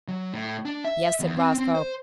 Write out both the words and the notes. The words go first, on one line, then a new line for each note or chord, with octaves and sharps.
"Yes," said Roscoe.
F#3
A2
D4
E5
E2
C4
C4
C5